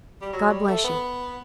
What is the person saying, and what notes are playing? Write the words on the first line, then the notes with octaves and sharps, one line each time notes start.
'God bless you!
G3
F#3
G3
A3
B3